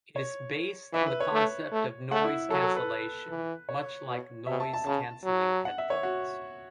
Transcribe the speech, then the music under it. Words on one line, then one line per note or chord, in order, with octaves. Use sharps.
It is based on the concept of noise cancellation, much like noise-cancelling headphones.
C#5
E3 E5
B4
C#5
A3
A3
A3 F#5
E4
F#3 A4
A4
B4
E3
C#5
B2
B2 E5
A5
A5
C#3 A5
F#3
F#5
E5
C#5
F#4